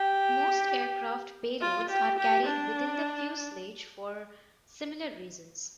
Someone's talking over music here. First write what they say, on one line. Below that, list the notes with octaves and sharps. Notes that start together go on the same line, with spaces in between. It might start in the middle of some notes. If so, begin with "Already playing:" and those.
Most aircraft payloads are carried within the fuselage for similar reasons.
Already playing: G4
F4
G4
G4
D4